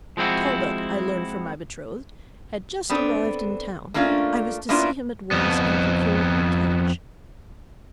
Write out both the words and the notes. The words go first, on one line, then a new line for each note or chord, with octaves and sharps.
Talbot, I learned from my betrothed, had just arrived in town. I was to see him at once, and procure a carriage.
F3 G#3 C4 E4 F#4
B3 C4 D4 A4
A3 A#3 C#4 D4 F4
A#3 B3 C#4 D4 E4 F4
F2 B3